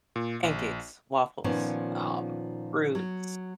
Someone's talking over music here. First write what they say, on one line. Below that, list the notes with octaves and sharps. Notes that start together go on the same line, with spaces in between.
Pancakes, waffles, um, fruits.
A#2
A#1
A#2 D#3 F3 B3 C#4 C#5
F#3